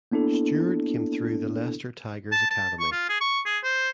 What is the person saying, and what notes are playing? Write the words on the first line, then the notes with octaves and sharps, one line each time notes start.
Steward came through the Leicester Tigers academy.
A#3 B3 D4 E4 A4
A5
A5
C#6
F4
G#4
C#6
G#4
C5